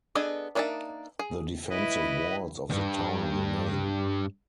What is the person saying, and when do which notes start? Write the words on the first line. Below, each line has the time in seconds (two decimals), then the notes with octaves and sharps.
The defensive walls of the town remain.
0.15 B3 D4 G#4 A4 D#5
0.55 A#3 D4 D#4 E5 A5
1.19 G#4
1.70 E4 B4 D#5
2.70 D2 G2